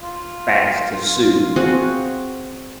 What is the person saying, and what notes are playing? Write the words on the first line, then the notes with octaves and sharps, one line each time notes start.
fast to sue for
F4
C4 F#4 G#4